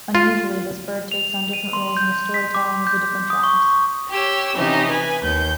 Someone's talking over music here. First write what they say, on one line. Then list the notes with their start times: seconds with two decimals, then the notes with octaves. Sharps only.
Unusually, this bird takes on different roles in the storytelling of the different tribes.
0.15 F4
1.12 F7
1.53 D#7
1.73 C6
1.97 G6
2.34 B6
2.55 D6
2.87 G6
3.30 D#6
3.43 C#6
4.11 G4 C#5 E6
4.56 C3 E3 C#4 D#4 G4
4.90 B4 G#5
5.24 D#2 G6